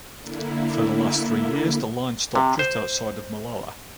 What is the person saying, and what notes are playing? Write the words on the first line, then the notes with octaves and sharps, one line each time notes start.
For the last three years the line stopped just outside of Molalla.
D3 A#3 E4
C3
C5